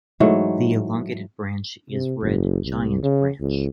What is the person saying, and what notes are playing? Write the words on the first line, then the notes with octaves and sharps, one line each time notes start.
The elongated branch is Red giant branch.
G#2 E3 F#3 A3
C3
F#1
C2
C#3
C#2